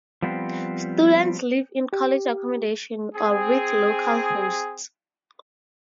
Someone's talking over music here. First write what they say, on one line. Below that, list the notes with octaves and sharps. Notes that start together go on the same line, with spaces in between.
Students live in college accommodation or with local hosts.
F3 G3 B3 C4
G4
C4 G#4